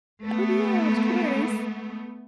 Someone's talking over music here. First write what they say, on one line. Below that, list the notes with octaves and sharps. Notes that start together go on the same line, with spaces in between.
Oh, yeah, of course.
A3 B3